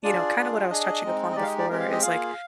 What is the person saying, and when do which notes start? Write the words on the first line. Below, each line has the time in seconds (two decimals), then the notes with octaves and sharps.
you know, kinda what I was touching upon before is, like,
0.03 D4 F4 G#4 D5
0.37 D4 F4 G#4
0.70 D4 G#4 D#5
1.04 G#3 C4 D#4
1.32 D#5
1.36 G#3 D#4 G4 D5
1.43 F5
1.47 D#5
1.59 D5
1.70 G#3 C4 G4 A#4
1.80 F5
1.92 D#5
2.02 A#3 F4 G#4 F5